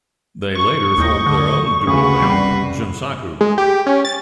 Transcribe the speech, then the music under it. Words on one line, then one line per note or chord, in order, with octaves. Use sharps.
They later formed their own duo-band, Jimsaku.
C#6
D#2 A2 D#5 G6 A#6
D3
D2 C#3 F#4 G#4 B4
F#1 C2 G3 C7
G#3
G4
C#4
A6